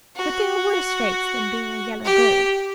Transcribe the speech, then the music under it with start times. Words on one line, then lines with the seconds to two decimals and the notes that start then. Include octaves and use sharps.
But there are worse fates than being a yellow bird.
0.16 F#4
2.04 G4